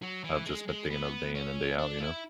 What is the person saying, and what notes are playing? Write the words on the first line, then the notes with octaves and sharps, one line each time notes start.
I've just been thinking of day in and day out, you know?
F#3
E3
G#3
G#3
B3
C#4
D4
E4